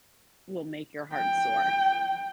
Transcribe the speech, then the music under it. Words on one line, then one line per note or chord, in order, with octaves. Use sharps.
will make your heart soar,
G5